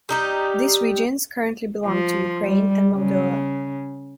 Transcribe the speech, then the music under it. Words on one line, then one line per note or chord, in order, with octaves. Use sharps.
These regions currently belong to Ukraine and Moldova.
G3 D#4 G4
F3
G3
C#3